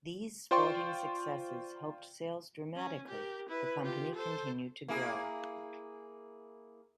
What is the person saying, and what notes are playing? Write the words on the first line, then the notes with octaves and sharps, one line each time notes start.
These sporting successes helped sales dramatically, the company continued to grow.
F4 C5 D5 G5 C6 C#6
C#4
G4 A#4
E4 B4
F4 G4
A4 C5
A#3 E4 G#4